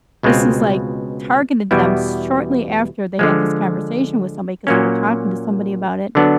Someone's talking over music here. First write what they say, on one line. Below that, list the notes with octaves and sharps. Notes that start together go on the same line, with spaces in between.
this is, like, targeted them shortly after they had this conversation with somebody, 'cause they were talking to somebody about it,
C#2 B2 G#3 C4 F4
E2 B2 G3 B3 E4
D3 F3 G#3
A#2 F#3 A#3 C#4
D3 F#3 B3 D4